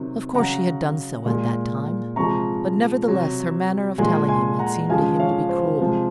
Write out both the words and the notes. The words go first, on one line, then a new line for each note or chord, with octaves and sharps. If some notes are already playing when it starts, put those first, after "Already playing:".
Of course she had done so, at that time; but, nevertheless, her manner of telling him had seemed to him to be cruel.
Already playing: C3 D#3 F#3
C#3 F#3 F#5 A#5
A#2 G#3
C3 F3 G#3 A#5 C#6
C3 F#3
A#2 F3 G#3 G#5 C6
G#5 C6
F#5 A#5
C#3 F3 G#3 F5 G#5
C#5 F5
C5
C3 F3 G#3